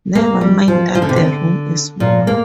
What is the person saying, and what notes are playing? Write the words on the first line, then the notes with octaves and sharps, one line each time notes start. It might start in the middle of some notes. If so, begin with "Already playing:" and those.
Never mind that the room is small.
A#3
G3
F3
F3
D3
C3
D3
A#2
A#3